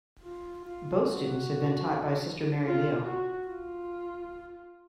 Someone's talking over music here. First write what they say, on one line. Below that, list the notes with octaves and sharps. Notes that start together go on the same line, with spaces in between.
Both students had been taught by Sister Mary Leo.
F4
F4
F#4
F4
F#4
F4